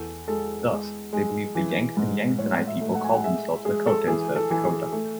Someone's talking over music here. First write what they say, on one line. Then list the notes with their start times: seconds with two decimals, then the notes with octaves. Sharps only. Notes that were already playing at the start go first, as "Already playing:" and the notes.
Thus, they believed the Yankton-Yanktonai people called themselves Nakota instead of Dakota.
Already playing: E2 A4
0.28 G#3 A4
0.70 G#3
1.13 G#3
1.55 E3
1.97 G#2
2.39 A2 C#5
2.67 E5
2.81 A3
2.95 F#5
3.04 G#5
3.13 F#5
3.24 G#3 E5
3.65 G#3 G#4
3.87 A4
4.07 E3 G#4
4.36 A4
4.50 E3
4.64 G#4
4.92 A3